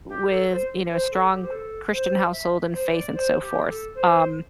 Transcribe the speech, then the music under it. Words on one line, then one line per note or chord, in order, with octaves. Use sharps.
with, you know, a strong Christian household and faith and so forth, um,
G4
A4
C5
C5
A4
G4
C5
A4
C5
E5
C5
D5
C5
G4
A4
C5